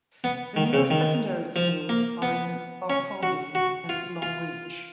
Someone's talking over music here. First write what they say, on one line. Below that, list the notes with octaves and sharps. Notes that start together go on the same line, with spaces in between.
The nearest secondary schools are in Barcaldine and Longreach.
B3
D#3
C#3
D#3
F3
A#3
B3
C#4
F#4
F#4
F4
F4